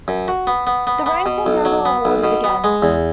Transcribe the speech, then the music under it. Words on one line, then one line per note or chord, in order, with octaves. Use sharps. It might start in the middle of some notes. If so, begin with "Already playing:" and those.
The rank was never awarded again.
F#2
F#4
B3
B3
B3
B3
B2
B1
F#3
B3
B1
B2
B3
G#3
E2